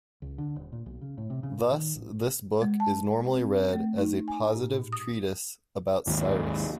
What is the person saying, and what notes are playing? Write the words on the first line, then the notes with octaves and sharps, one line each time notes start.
Thus this book is normally read as a positive treatise about Cyrus.
C#2
D3
D#1
A#2
B1
C#3
A2
C3
C#3
A#2
D#3
A1
G#3
A5
C4
A3
D#4
G#5
A2
A#2
D#6
G#1 D#2